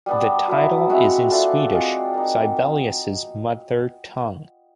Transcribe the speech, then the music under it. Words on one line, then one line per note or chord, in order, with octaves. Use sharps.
The title is in Swedish, Sibelius's mother tongue.
G3 B3 D4
F#3 B3 E4
G#3 C4 E4 F#4
A3 D4 F4
G#3 C4 F4
A#3 D#4